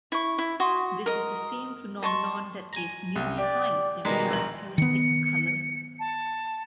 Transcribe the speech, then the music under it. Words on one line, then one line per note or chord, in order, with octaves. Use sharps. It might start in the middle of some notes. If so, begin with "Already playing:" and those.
This is the same phenomenon that gives neon signs their characteristic color.
E4 C#6
E4
F#4 C6 D#6
A#4 D#5
D#5 A5 C6 C#6
G#5 A#5
C2
G4 D5
B2 D#3 G3 G#3 A#5
A#1 F#7
D#3 B3 C#7
A5